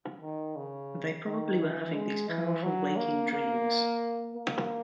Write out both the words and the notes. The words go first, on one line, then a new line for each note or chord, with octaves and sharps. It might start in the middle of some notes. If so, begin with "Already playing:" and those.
They probably were having these powerful waking dreams.
D#3
C#3
D#3
E3
G#3
E3
F#3
A#3
A#3
A#3